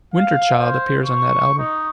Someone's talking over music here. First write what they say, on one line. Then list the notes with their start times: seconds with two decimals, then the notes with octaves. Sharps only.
"Winter Child" appears on that album.
0.14 F5
0.57 C5
1.05 C#6
1.58 D#4